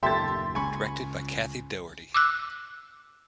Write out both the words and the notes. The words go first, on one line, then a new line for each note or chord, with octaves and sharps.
Directed by Kathy Daugherty.
F#1 D#2 A#2 G4 A4 E5 C6 A6
C#2 G#3 C#4 G#5 B5 C#6
D6 E6 F#6